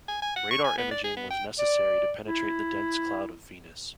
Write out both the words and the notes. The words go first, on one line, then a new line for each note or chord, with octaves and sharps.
Radar imaging was necessary to penetrate the dense cloud of Venus.
G#5
G#5
F#5
C#6
G#5
B3
D5
G#4
B3
G5
D5
E4